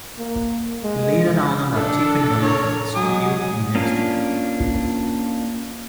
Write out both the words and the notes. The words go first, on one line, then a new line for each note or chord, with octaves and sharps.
He later owned a Tiffany lamp studio in Amsterdam.
A#3
G#3
D4 A4
A#4 C#5
F#3 G#3 G#5 D#6
A#3 C#4 D4 F4